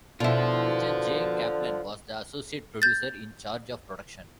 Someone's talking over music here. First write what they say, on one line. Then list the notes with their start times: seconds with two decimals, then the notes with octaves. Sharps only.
Richard J. Kaplan was the associate producer in charge of production.
0.20 B2 D3 E4 F4 C5
2.82 G6 A6